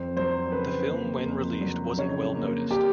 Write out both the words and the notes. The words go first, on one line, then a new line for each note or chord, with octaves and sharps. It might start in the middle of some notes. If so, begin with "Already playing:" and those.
The film when released wasn't well noticed.
Already playing: F2 C5
F#3 C5
C#3 B4
A#3
F2
F#3
C#3 C#5
A#3
G4